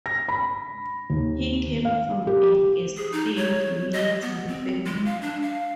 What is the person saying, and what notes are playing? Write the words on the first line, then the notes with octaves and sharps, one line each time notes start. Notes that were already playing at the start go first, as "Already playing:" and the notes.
He came from an esteemed military family.
A#6
B5
D#2
F5
G4
G#4
D#4
C#5
D#5
B3
C4
G#3
F5
D4
F5